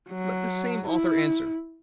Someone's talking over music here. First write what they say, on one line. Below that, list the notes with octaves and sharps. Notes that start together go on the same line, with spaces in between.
Let the same author answer.
F#3
E4